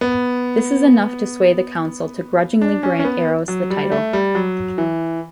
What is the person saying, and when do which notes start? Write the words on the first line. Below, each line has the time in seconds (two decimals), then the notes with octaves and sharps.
This is enough to sway the council to grudgingly grant Eros the title.
0.01 B3
2.61 D4
2.83 C#4
2.99 C#4
3.04 B3
3.48 F#3
3.70 G3
3.92 A3
4.13 G3
4.35 F#3
4.78 E3